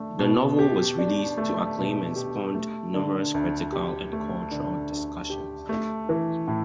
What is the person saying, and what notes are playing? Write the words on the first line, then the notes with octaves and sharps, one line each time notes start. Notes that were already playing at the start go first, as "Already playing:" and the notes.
The novel was released to acclaim and spawned numerous critical and cultural discussions.
Already playing: A3 D4
B2
G4
D4
A3
B2
G4
A3
D3
D2
G4
A3
D3
D2
G4
A3
E3
A2